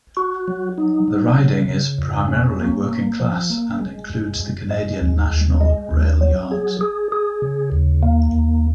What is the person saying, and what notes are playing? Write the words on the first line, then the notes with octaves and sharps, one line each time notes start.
The riding is primarily working-class, and includes the Canadian National rail yards.
F#4
F#3
D#4
F#3
C#3
C#3
F2
C#4
A#3
A#3
F3
A#3
G#3
F#2
F#2
G#3
D#2
D#2
G#3
D#2
F#3
G#4
G#4
G#4
C#3
D#2
A#3
D#2